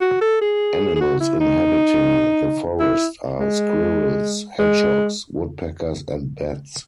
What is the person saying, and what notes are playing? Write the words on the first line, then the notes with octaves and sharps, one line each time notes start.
Animals inhabiting the forest are squirrels, hedgehogs, woodpeckers and bats.
F#4
A4
G#4
G#4
F#4
E4
D#4
E4
G#3
G#3